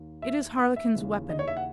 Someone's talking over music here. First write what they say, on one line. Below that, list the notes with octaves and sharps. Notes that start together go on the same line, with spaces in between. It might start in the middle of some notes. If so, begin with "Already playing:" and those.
It is Harlequin's weapon.
Already playing: D#2 D#3
E5
F#5
E5
D#2 C#3 E3
D#5
C#5
E5
F#5